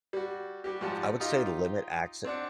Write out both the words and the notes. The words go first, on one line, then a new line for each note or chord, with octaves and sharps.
I would say to limit acce an
G3 F#4
G3 F#4 G4
G#2 F3 G3 F#5 A5
D#4 F4 G4
C4 D4 F#5